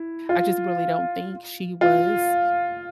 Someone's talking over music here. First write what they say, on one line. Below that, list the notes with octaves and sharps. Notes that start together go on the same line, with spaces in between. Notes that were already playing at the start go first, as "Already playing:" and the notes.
I just really don't think she was,
Already playing: E4
F4
F4